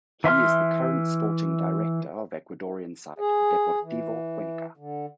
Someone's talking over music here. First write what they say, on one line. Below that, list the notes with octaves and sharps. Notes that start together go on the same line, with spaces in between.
He is the current sporting director of Ecuadorian side Deportivo Cuenca.
E3 E5 C6 F6
G#4
E3
D3